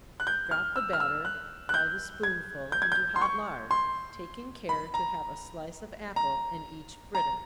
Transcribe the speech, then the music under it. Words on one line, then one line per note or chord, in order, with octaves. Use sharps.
Drop the batter by the spoonful into hot lard, taking care to have a slice of apple in each fritter.
F#6
G6
F6
E6
F6
E6
F#6
F#6
G6
G#6
G6
G#6
G6
C6
C#6
C6
B5
A#5
A#5
A#5